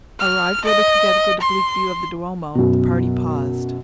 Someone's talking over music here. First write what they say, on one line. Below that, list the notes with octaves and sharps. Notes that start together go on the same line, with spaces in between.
Arrived where they could get a good oblique view of the Duomo, the party paused.
F6
D#5
C6
F#2 B2